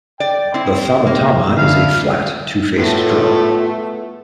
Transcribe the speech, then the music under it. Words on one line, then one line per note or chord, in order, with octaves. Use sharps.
The Thammattama is a flat, two faced drum.
D5 G5
C4 E4 C6 C#6
A#3
D3 B3 D4 E4 F5
A2 A3 B3 F4 G#4 B4